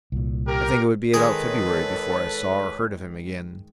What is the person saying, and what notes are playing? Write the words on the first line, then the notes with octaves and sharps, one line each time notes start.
I think it would be about February before I saw or heard of him again.
C2 A#2
G4 A#4
D#3 G#3 G#4 A4 B4 C#5